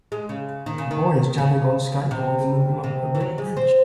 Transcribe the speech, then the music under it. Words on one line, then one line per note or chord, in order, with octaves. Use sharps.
A boy is jumping on skateboard in the middle of a red bridge.
G#3
C#3
D#3
C#3
D#3
C#3
C3
C3
E3
F#3
G#3
C4